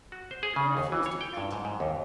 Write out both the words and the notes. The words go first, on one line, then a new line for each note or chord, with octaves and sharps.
I refuse to play to you!
F#4
C5
G#4
C#3
D#2
E3
C#5
G5
G2
G#2
G#2
D#2